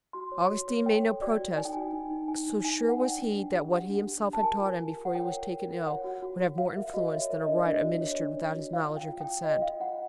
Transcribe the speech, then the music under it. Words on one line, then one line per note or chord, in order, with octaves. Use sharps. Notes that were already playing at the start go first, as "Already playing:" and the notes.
Augustine made no protest, so sure was he that what he himself had taught him before he was taken ill would have more influence than a rite administered without his knowledge or consent.
F#4 C6
C#5
F#4
C#5
C#5 G5
A4
F#4 D5
F#4
D#4 G#5
G5
F#4 G#5
D#4
D#4
D#4 G#5
D#4
D#4 G#5
B4
F#5
D5 G5
D4
D4
G4
G4 F#5
D4
G4
G4
A5
A#4 G#5
F4
F4
A#4
F#5
C#5 G5
A#4
A#4
F4
C#5 F#5
F#4
F#4
F#4
F#4 F5
A#4 E5
F#4 D#5
C#5 E5
A#4 E5
D4 D#5
D5
D4 D#5
F#4
C#5
D4
C#5
F#4
F4 F5
F4
G5
F4
G5
F4
F4 D#5
F4 F5
F4 F#5